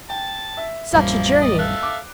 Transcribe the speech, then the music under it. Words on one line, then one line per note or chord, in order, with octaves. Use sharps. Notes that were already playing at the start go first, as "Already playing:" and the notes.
"Such a journey!"
G5 A5
E5
A1 F2 F3 G3 A#3
D5 D#5 D#6
A4 E5 F5 F#6
D6